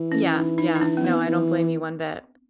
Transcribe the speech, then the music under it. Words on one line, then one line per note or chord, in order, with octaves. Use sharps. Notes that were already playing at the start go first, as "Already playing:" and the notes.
Yeah, yeah, no, I don't blame you one bit.
Already playing: E3
C#4
D#4
D#4
D#4
D4
C4
B3
E3